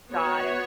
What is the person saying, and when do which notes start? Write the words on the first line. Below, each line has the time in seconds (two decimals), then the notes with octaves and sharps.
Got it.
0.12 B3 F#4 C#5